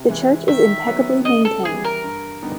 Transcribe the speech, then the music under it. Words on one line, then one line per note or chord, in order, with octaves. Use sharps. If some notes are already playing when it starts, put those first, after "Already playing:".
The church is impeccably maintained.
Already playing: C3
E3 G#3
D#3 E5
F#3 B3
C#3 D#5
A4
E3 G3 G#4
A#4
G2
D3 G3 B3 D#4